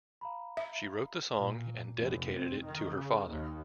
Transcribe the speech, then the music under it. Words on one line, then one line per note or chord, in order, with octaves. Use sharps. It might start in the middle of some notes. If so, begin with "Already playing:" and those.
She wrote the song and dedicated it to her father.
F5 A#5 B5
E5
A#2
F1
C4
D#3
C#3
D#2